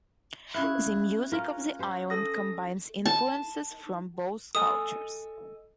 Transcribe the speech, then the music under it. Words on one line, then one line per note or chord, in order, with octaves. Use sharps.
The music of the island combines influences from both cultures.
C#3 E4 F#6 G#6
C#4 F4 A#4
C#4 C5
A4 D#6 A#6
A5
A4 D#5 G#5 D#6